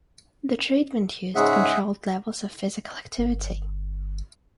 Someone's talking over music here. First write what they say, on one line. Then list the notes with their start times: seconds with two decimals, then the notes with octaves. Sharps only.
The treatment used controlled levels of physical activity.
1.35 G#2 C#3 G#3 G#4 E5 F#5
3.18 G1